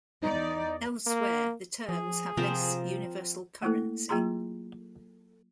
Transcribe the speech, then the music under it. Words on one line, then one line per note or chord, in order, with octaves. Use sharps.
Elsewhere, the terms have less universal currency.
E2 D#4 D5
A#3
F3 G#4
C3 F3 C4 A#4
A3 A#3 E4 A4
F#3 A#3 F4 G#4 A#5 C6